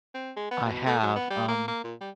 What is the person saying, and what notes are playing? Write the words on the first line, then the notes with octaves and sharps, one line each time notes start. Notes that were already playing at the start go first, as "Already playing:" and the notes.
I have, um
C4
G#3
B3
B2
A3
F#3
B3
G3
A#3
A#3
A#2
G3